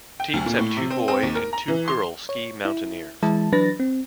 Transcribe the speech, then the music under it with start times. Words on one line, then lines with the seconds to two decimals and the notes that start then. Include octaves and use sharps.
Teams have two boy and two girl ski mountaineers.
0.20 G5
0.33 D2
0.46 A#2
0.59 A2
0.76 C3
0.90 C4
1.08 C4
1.23 D#2
1.35 A#4
1.53 A#5
1.68 E3
1.88 C6
2.29 C#5
2.65 E4
3.23 E3 G#3 E4 A5
3.52 E3 F#3 D4 B4 A6 A#6
3.80 C4